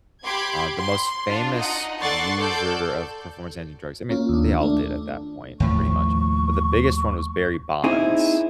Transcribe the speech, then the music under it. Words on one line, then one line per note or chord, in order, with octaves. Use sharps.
Uh, the most famous user of performance-enhancing drugs I mean, they all did at that point, pretty much, but the biggest one was Barry Bonds.
G4 B5 C6 D6 G#6
C6
D4 F4
D#4 D#5 F#5
A4 D5 F#5 C6 C#6 A6
A4 D5 G6
A#3 C#4 F4
D#2 D4
A3 D4
D#2 A2 F3 C#6
C4 D#4 E4 G#4